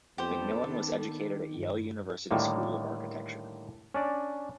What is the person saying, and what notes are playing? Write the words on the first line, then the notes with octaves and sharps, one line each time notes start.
McMillan was educated at Yale University School of Architecture.
F2 B3 D4 G4 A4 C5 G5
D#3
G2
A2 D3 D#3 G3 A#3
C#4 D4 D5